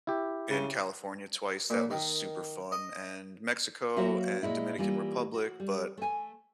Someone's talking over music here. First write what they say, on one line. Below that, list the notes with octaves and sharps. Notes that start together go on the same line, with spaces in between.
in California twice, that was super fun, and Mexico and Dominican Republic, but
E4 G4
C#3
A#2
D#3
D#5
F#3 A#3 F#4 C5 E5 F5
A#2 G#3 E4
E3 G3 A#3 F4
F#4
G3
A3 G#5